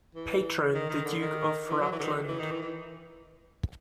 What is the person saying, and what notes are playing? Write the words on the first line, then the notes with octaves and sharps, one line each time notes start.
Patron, the Duke of Rutland.
E3
D#3
D#3
D3
D#3
E3
F#3
E3
D3
D#3
E3
D#3
E3
E3